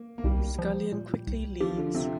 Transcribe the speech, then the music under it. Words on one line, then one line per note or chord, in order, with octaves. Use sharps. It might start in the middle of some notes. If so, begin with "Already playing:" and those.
Skullion quickly leaves.
Already playing: A#3
A#3
C2 G3
F3
A#2
C2
F3 G4
D3
C3 C4